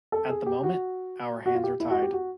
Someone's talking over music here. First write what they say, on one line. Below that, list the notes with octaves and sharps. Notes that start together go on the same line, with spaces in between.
At the moment, our hands are tied.
A4
G#4
G4
F#4
F#4
F4
G4
E4
F#4
G4
F#4